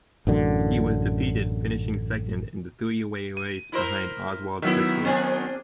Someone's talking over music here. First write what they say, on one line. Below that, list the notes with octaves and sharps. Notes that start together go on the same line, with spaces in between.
He was defeated finishing second in the three way race behind Oswald Critchley.
A1 F#2 D3
D#7
E4 A#4 C5
D#3 F#3 B3 E4 E5
C4 D4 G#4